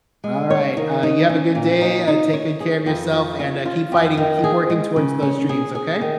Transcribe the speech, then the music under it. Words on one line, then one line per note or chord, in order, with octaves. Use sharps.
Alright, uh, you have a good day, uh, take good care of yourself, and, uh, keep fighting. Keep working towards those dreams, okay?
G#3
C#5
D#3
D#4
C#4
A#2
D#4
D#4
C#5
G#4
F2
F3
C#4
F4
F2
D#3
G#4
G#3
C#3
C#4
G#4
G#4
D#3